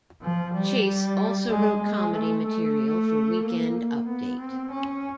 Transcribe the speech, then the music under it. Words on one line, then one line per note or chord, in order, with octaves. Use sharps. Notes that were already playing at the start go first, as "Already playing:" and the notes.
Chase also wrote comedy material for Weekend Update.
F3
G3
G#3
G#3
A3
A3
A#3
B3
C4
C#4